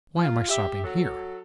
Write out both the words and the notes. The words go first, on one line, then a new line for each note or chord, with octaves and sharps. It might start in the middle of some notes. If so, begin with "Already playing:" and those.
"Why am I stopping here?"
F4
G4 E5
F#3 A4